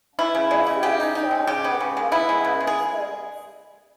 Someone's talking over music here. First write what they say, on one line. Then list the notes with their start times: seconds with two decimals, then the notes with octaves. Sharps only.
Most of the South had one-party states.
0.19 E3 E4
0.35 C#3
0.51 G#3
0.67 C#3
0.83 C#3 G4
1.00 D#4
1.15 D#4
1.31 G#3
1.47 C#3 G4
1.64 B3
1.81 C#3
1.97 G#3
2.12 B3 E4
2.29 G#3
2.44 C#3
2.61 G#3
2.67 G#4